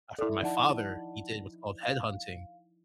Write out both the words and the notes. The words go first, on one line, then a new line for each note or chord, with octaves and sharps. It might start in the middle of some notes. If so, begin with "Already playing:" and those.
I found my father, he did what's called headhunting,
E4 A4 D5
F3 D#4 D5 F#5 A5
F5